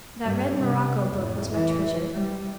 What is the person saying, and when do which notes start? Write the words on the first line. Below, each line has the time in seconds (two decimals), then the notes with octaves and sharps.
That red morocco book was my treasure.
0.24 G2
0.58 C3 G3
1.11 F2 A2
1.51 E3
2.13 G3